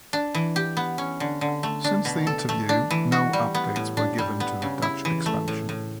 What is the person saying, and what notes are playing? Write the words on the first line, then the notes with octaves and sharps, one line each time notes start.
Since the interview no updates were given to the Dutch expansion.
D4
E3
G4
B3
C#4
D3
D3
A3
D4
B2
A4
A3
D4
E3
F#4
G3
B3
A2
D4
G3
B3
C#3
E4
E3
A3
A2
A2